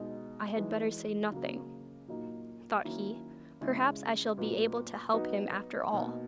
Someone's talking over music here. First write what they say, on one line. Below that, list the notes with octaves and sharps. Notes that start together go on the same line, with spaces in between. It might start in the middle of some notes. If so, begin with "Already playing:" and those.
'I had better say nothing,' thought he; 'perhaps I shall be able to help him after all.'
Already playing: B2 G#3 D#4
E3 G#3 D#4
C#3 F#3 A#3
A#2 F#3 A#3 D#4
D#3 F#3 A#3 C#4 E4
C#3 G#3 C#4 E4
A#2 F#3 B3 D#4
F#3 B3 D#4
B2 A#3 D#4